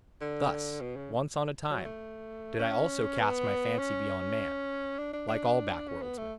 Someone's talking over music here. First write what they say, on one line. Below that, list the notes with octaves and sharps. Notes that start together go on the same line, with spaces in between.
Thus, once on a time, did I also cast my fancy beyond man, like all backworldsmen.
D3
B2
C#3
F#3
A3
C#4
B3
C#4
D4
D4
D4
C#4
B3
A3